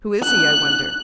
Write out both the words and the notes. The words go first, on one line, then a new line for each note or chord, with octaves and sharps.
"Who is he, I wonder?"
F#6